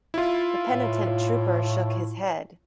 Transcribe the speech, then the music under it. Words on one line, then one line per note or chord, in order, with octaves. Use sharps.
The penitent trooper shook his head.
E4 F4
A2